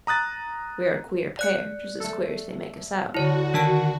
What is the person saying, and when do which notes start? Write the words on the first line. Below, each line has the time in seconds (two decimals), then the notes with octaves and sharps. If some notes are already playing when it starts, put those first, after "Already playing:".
We are a queer pair--just as queer as they make us out.
0.07 A#5 D#6 F#6 A6
1.39 D5 F#6 C#7
2.00 A3 A4
3.14 D2 D3 E4 F#4 C#5
3.54 D#3 D4 A5 D7